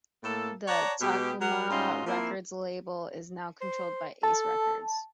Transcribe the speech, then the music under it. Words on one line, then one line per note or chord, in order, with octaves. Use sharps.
The Takoma Records label is now controlled by Ace Records.
A2 A#3 A4
C#5 D5 F#5 A5 A#5
B2 G#3 B3 G4
F#3 F#4 A#4 F#5
G#2 C#4 F4 F#4 D#5
F3 A#3 C4 E4 C6
C5
A4 A5